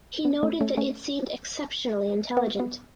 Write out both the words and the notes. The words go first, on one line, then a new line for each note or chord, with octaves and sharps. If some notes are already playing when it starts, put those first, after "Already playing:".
He noted that it seemed exceptionally intelligent.
B3
A3 C#4
A3 C#4
A3 C#4
B3
B3